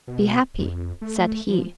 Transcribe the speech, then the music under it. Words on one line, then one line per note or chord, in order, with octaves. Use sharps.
"Be happy!" said he.
B2
F2
A3
F3